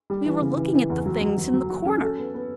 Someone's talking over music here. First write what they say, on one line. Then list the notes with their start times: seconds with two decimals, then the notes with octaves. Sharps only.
'We were looking at the things in the corner.'
0.10 G3
0.26 E3
0.41 C#3
0.57 E3
0.73 E3
0.90 E2
1.06 F#3
1.21 F#3
1.38 F#3
1.54 F#3
1.70 F#4
1.85 C#4
2.02 A4
2.18 B3
2.34 B3